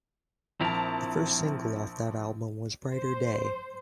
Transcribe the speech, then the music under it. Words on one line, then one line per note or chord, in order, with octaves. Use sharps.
The first single off that album was "Brighter Day".
A#1 C4 E4 A#4 A5
C5